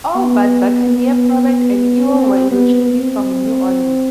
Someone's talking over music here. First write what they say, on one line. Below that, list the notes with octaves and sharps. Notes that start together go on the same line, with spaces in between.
All but Buckner, Probert, and Ewell were originally from New Orleans.
B3
C4
B3
C4